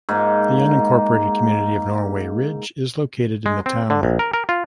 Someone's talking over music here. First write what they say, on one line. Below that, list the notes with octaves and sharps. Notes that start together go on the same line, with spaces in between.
The unincorporated community of Norway Ridge is located in the town.
G#2 A#3
G#3
C4
D3
A#1
A#4
A#4
F4